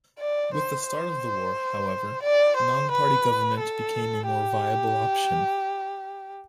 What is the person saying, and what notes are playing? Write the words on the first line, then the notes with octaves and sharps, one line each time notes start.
With the start of the war, however, "non-party" government became a more viable option.
D5
C5
C5
D5
C5
B4
A4
G4